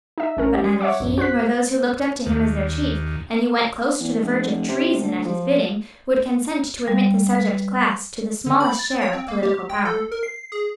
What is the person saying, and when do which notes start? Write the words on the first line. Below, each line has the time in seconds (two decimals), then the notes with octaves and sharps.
But neither he, nor those who looked up to him as their chief, and who went close to the verge of treason at his bidding, would consent to admit the subject class to the smallest share of political power.
0.18 D#4 E5
0.37 A1 C#4 A#4
0.54 G4
0.81 C#5 E5 F#5 D6
1.00 A#1 F#2
1.18 F#4 C5 F#6 B6
2.26 D#2
4.00 E2
4.21 F1
4.68 C3
5.00 D2
5.25 F3
6.88 G3
7.35 B4
8.46 D3
8.60 B5
8.79 A6
9.01 C#5
9.13 C4
9.28 A#3
9.43 G4
9.69 G5
9.85 A4
10.11 A#4
10.23 C7
10.52 G#4